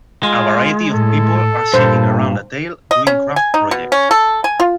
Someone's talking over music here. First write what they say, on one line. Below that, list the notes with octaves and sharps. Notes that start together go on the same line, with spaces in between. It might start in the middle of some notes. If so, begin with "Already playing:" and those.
A variety of people are sitting around a tale doing craft projects.
G#3 F4
A2 A4
G2 A#2 C5
D#5
C#4
G#5
D#4
B2
C#4
A4
G#5
F4